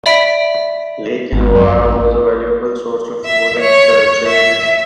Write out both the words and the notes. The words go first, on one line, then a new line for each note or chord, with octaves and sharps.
Lake Illawarra was a valuable source of food and spirituality.
D5 E5 B5 B6 D7
G#1
F#2
A1
E5
C#5
E5